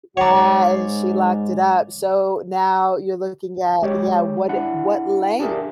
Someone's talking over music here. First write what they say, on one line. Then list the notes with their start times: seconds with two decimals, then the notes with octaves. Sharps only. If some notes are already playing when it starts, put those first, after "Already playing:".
Yeah, and she locked it up, so, now you're looking at yeah, what what length
0.17 G#2 C#5 D5
3.82 G#3 G4 C#5
4.48 D4 E4 F#5
5.39 D4 G4 G#4 A#4 E5